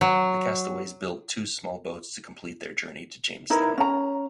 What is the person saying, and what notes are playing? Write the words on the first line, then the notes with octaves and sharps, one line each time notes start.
The castaways built two small boats to complete their journey to Jamestown.
F#3
D#4 E4 A#4 B4
C#4 A#5